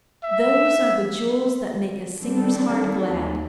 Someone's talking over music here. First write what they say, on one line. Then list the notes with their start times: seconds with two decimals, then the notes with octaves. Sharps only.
Those are the jewels that make a singer's heart glad.
0.24 E5
2.22 D#3 G3 C4 D4 A4
3.12 D#2